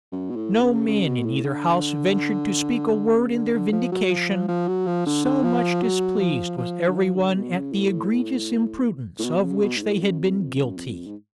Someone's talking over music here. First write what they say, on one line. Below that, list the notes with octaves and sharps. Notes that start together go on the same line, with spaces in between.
No man in either house ventured to speak a word in their vindication; so much displeased was every one at the egregious imprudence of which they had been guilty.
F#2
B2
A2
C#3
C#3
B2
A2
D3
C#3
D3
D3
F3
F#3
F3
F3
F3
F#3
F3
D3
D3
F3
F#3
F3
F3
D3
F3
D3
B2
C#3
A2
A2
B2
C#3
B2
G#2
A2
F#2
F2
F2
F#2
F2
G#2